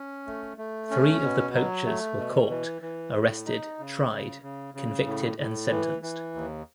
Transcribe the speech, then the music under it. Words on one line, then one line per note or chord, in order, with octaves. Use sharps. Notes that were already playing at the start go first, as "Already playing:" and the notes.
Three of the poachers were caught, arrested, tried, convicted and sentenced.
Already playing: C#4
A3
A3
C#4
B2
F#3
A3
B2
E3
E3
A2
D#4
C#3
C#3
C#3
C#3
A2
A2
E3
E3
D#2